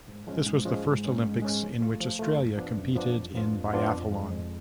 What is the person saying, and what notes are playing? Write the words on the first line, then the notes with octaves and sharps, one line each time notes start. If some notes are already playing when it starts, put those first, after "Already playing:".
This was the first Olympics in which Australia competed in biathlon.
G#2
F3 G#3 C#4
G#2
F3 G#3 C#4
G#2
G#3 C#4
G#2
G#3 C#4
F3
A3 F4
F3
A3 F4
F#2
F3 B3 D4
F#2
F3 B3 D4
F2
F3 B3 D4 F4
F2
F3 B3 D4 F4
F2
F3 G#3
F2